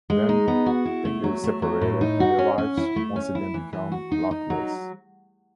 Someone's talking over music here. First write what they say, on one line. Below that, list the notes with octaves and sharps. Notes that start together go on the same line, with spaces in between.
Then they get separated and their lives once again become luckless.
G#3
D#4
B3
F#4
E4
A3
F#3
A3
F#3
A2
D#4
F#4
C#4
C#4
E4
A3
C#4
E4
E3
E3
F#4
D#4
D#4
F#3